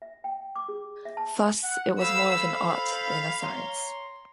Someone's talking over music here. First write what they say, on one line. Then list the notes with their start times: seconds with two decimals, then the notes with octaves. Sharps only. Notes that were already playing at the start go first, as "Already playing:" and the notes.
Thus, it was more of an art than a science.
0.02 E5
0.24 G5
0.56 D6
0.69 G#4
1.05 E5
1.17 A5
1.63 F#5
2.00 A4 C5 F5 B5 E6
2.39 F5
3.42 C#5 A#5 C6